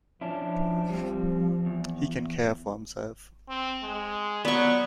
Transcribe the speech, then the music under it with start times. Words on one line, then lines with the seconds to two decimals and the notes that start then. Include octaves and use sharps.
He can care for himself.
0.21 F3 C#4 D4 E4
0.90 G3 C4
1.66 E2
3.48 C4
3.83 G#3
4.45 F#3 B3 D5 C#6